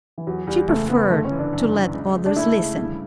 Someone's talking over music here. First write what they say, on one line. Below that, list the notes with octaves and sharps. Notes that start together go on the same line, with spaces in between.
She preferred to let others listen.
E3
E2 F#3
E2 G3
F#1 A3
F#1 B3
G1 A3
C#4
E3
D4
F#2
E3
C#2
C#2
D4
A3 E4
C#3
G2